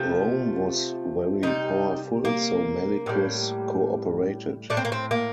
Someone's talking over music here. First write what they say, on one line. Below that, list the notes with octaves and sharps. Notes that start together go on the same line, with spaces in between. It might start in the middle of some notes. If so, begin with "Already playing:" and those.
Rome was very powerful, so Malichus cooperated.
Already playing: C3 F3 A3
C3 D#3 G3 D#4
A#3
A2 G3
A2 A3 D4
C4
A#3
C4
A#3